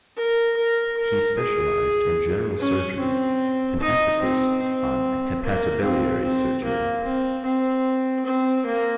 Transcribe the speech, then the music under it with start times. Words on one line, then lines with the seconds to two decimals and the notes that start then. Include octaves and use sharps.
He specialized in general surgery, with an emphasis on hepatobiliary surgery.
0.16 A#4
0.56 A#4
0.97 A#4
1.37 G#4
2.60 C#4
3.00 C4
3.80 D#4
4.21 C4
4.61 C4
5.43 A#3
5.83 C4
6.23 C4
6.64 A#3
7.04 C4
7.45 C4
8.25 C4
8.66 A#3